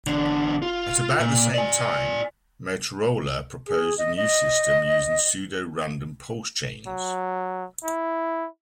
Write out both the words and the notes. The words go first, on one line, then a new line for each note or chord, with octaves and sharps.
At about the same time, Motorola proposed a new system using pseudo-random pulse-chains.
E2 D3
F4
A#2
D5 G#5
G#4
D#5
D#5
F#3
E4